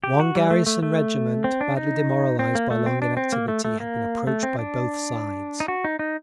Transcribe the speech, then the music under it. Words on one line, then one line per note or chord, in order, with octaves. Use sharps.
One garrison regiment, badly demoralised by long inactivity, had been approached by both sides.
G4
F#4
G3
A3
A3
A3
C4
D4
D#4
C4
A#3
A3
C4
D4
C4
A#3
A3
A3
A#3
A3
C4
D4
D#4
F#4
D#4
D#4